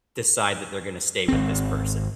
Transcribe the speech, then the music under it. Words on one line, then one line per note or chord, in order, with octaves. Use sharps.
decide that they're gonna stay with this person.
G#1 C4